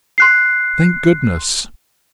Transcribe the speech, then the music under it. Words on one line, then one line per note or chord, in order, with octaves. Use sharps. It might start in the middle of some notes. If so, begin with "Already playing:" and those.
Thank goodness!
C6 F#6 C7